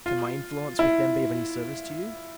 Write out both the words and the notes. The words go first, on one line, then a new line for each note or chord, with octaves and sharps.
"Can my influence with them be of any service to you?"
F4
E4